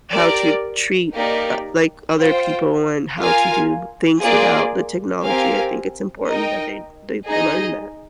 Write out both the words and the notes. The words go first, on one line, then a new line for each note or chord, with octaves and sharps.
how to treat, uh, like, other people and how to do things without the technology, I think it's important that they they they learn that.
G4 A#4 D5
A#3 D#4 G4 A#4 D5
F4 C5 G5
F4 A#4 F5 G#5
A#3 F4 G#4 D5
C4 G4 A#4 F5 G#5
D#4 A#4 D#5 G5
D#4 G#4 D#5